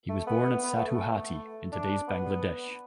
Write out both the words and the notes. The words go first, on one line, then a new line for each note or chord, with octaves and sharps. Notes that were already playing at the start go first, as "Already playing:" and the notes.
He was born at Sadhuhati in today's Bangladesh.
A3
B3
B3
A3
A3
D4
B3